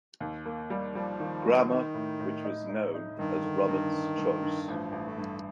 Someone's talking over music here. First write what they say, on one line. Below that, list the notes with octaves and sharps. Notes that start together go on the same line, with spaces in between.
Grammar, which was known as Robert's Choice.
D#2
A#3
G3
F3 G3
D#3
G3
D#3 D#4
A2
A2
D#4
D#4
D#4
G2 D#3
D3
G2
G2
G2
G2
A1 F3
A1
A3
G2